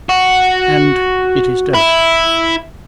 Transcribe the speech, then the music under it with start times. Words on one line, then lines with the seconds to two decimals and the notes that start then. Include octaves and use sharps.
"And it is delicate."
0.09 F#4
1.74 E4